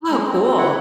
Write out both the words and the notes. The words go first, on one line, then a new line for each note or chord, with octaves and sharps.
Oh, cool.
G#3
C4
C4
E4 F#5